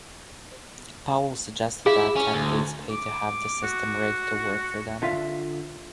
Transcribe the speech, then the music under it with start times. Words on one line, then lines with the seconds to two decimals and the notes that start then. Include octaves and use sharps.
Powell suggested that candidates "paid to have the system rigged to work for them".
1.86 E4 G#4 F5
2.16 C#4
2.33 D2
2.90 D6
3.63 F#4
5.02 D3 F4 E5 F5